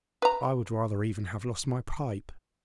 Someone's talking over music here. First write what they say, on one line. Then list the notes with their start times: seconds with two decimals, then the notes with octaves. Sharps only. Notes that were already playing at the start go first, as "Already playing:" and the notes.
I would rather even have lost my pipe!
0.22 B4 A#5